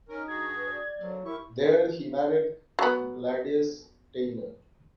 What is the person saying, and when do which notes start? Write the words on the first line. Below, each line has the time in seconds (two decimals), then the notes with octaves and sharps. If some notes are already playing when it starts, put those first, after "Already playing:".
There he married Gladys Tayler.
0.09 C#4 D#4 A#4
0.28 G2 F#4 G#4 G#6
0.55 B4
0.71 D5
0.98 D3 F#3 A#3 C4
1.25 G2 E4 G4 A#4 C#6
2.79 F#3 B3